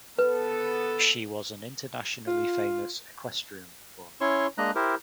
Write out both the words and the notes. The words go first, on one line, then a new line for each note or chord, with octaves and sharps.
She was an internationally famous equestrian performer.
B3 A4 B4
F4
C#4 E4 C#5 C6 C#6
G#3 A#3 D4 D#5 A#5 F#6
E4 G4 A#4 C5